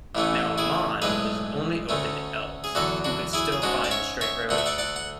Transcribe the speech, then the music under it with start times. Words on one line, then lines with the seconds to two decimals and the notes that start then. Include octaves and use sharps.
Now Aman was only open to Elves, who could still find the Straight Road.
0.15 A1 A2 E3 A3 C#4
0.58 E4 G#4
1.02 B1 A2 G#3 D4 G#4 B4
1.89 D2 D3 A3 C#4
2.64 G#4
2.75 E2 D3 F#3 F#4 A4
3.04 D4 F#4
3.33 E4 G#4
3.52 G#4
3.62 G#2 G#3 C#4 D4 F#4
3.84 D5
3.91 C#5 E5
4.21 C#5 E5
4.49 D2 D3 A3 D4 F#5
4.58 E5
4.66 D5 F#5
4.78 D5 F#5
4.96 F#5